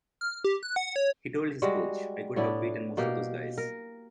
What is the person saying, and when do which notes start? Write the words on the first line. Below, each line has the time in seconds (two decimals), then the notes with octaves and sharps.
He told his coach, I could have beaten most of those guys.
0.21 F6
0.44 G4
0.63 F#6
0.76 F#5
0.96 C#5
1.62 G3 G#3 F#4
2.36 A2 B3 D4 E4
2.97 B2 A#3 G4
3.58 A#4